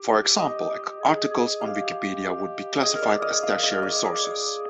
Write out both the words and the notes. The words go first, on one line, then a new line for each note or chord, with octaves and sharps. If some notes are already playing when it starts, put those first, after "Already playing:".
For example, articles on Wikipedia would be classified as tertiary sources.
Already playing: G4
D#5
G#4
G#4
G#4
G#4
G4 F5
G#4 D#5
A#4
G#4 D5
A#4 D#5
G#4
A#4 F5
G#4
D#5
A#4
G#4 D5
G#4 D5